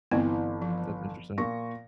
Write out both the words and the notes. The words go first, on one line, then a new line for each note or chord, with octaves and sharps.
That's interesting.
G1 E3 B3 C4 E4
F3
A#2 C#6 A#6